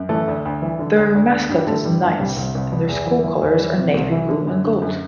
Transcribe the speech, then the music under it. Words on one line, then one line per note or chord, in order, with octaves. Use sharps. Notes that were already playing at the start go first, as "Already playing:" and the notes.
Their mascot is the Knights and their school colors are navy blue and gold.
Already playing: F#2
E3 A3
D2
D2
E3
D3
D2
D2
D2
G2 G3
D3 A3
G2 G3
G2
C2 G3
C2
C2
B2
E2
E3
E3
E2
E3
C3
C2
E3
D3
F#2
D3
F#2